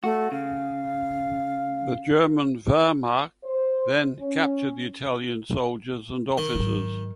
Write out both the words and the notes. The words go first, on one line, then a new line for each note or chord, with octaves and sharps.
The German Wehrmacht then captured the Italian soldiers and officers.
A3 F#4
C#3 F5
C5
C#4
D#3
G#2 F#3